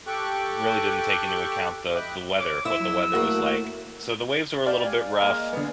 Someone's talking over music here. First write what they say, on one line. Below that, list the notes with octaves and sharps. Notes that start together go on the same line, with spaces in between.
really didn't take into account the the weather, what the weather was like, so, the waves were a little bit rough
G4 A4 G5 C#6 D6 F#6
D#5 E5 G5 B5 D6 F#6
C#5 D6
E4 E5 E6
F#3
A3 A#3 E4 F#4
G4 D5 F5
G#5
G#3 A#3
D3 B3